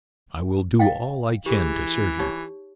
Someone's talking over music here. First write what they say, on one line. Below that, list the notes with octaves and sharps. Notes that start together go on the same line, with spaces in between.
I will do all I can to serve you.
D#5 F5 G5
E3 G4 G#4
D#4 G4 C#5